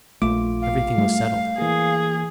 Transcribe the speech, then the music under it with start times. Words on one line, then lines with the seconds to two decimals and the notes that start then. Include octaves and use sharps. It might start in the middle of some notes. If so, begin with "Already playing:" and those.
Everything was settled.
0.22 A#1 A3 F4 D6
0.62 F5
0.98 G3 A3
1.58 E3 A#3 G#4